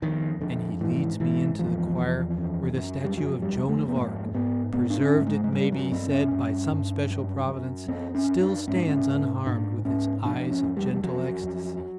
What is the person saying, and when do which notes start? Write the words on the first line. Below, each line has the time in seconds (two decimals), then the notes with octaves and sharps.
And he leads me into the choir where the statue of Joan of Arc, preserved it may be said by some special Providence, still stands unharmed, with its eyes of gentle ecstasy.
0.02 F2 D#3
0.41 F2 D3
0.80 G#2 E3
1.20 G#2 E3
1.59 E2 F3
1.98 E2
2.37 F#2
2.77 F#2
3.04 G3
3.17 F2 F#3
3.42 G3
3.55 F2
3.68 A3
3.88 B3
3.95 G#2 A#3
4.34 G#2 B3
4.73 G#2 B3
4.90 D4
5.01 C#4
5.13 G#2
5.21 G3
5.27 G#3
5.44 G#3
5.52 G2 G3
5.72 F#3
5.91 G2 C4
6.11 C#4
6.31 G2
6.71 G2
7.11 F#2
7.49 F#2
7.88 F#2 C4
8.15 C#4
8.27 F#2
8.41 D4
8.68 G#2 C#4
8.76 D4
8.87 C#4
9.06 G#2
9.46 G#2 D4
9.85 G#2 C#4
10.25 F2 D4
10.51 C#4
10.64 F2
10.77 G3
10.93 G3
11.03 F2 F#3
11.43 F2